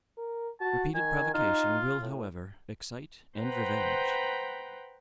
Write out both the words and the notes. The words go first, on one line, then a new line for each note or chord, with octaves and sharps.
Repeated provocation will, however, excite and revenge.
A#4
F#4 A5
D#3 G#5
D#4 F4
A2
B4 C5 F#5 G5 A#5 B5